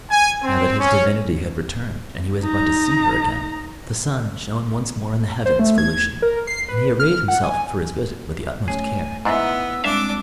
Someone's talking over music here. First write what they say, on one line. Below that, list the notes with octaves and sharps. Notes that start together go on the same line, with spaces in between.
Now that his divinity had returned, and he was about to see her again, the sun shone once more in the heavens for Lucian, and he arrayed himself for his visit with the utmost care.
G#5
C4
C#4
D#4 A#5
C5
A3
G#6
A#4
C7
B4
F6
F#5
G#5
A3 C#4 G#4 C#5 G#5
G#2 B3 D4 E4 E5 E6 A#6
G3 G#3 C4 D4 G#4 E5 F5 D6